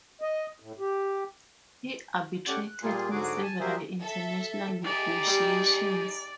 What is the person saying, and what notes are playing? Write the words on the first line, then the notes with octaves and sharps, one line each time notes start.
He arbitrated in several international negotiations.
D#5
A2
G4
A3 C#4 G4 D5 F#5
F#6
A#2 G3 A#3 F4 G#4
G#2 D3 F#3 F#4 G#4 D6
G#5 A5
F#3 G3 G#4 A#4 C5 E5
A4 E5
D#4 G4 G#4 D5
G3